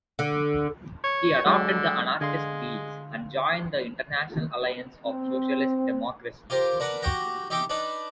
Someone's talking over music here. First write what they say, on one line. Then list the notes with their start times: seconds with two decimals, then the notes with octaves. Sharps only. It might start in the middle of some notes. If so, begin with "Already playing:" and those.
He adopted the anarchist these and joined the International Alliance of Socialist Democracy.
0.19 D3
1.04 C#5
1.46 D3 F#3 G#3
2.21 D3 G#3 F5 C6
5.06 C4
6.50 F4 G4 A#4 C5
6.80 D4 A#4 B4 F#5 B5
7.02 F#4 G4 F#5 G5 A#5
7.50 D#4 G4 E5 G5 A#5 D6
7.70 D4 D#4 B4 A5 B5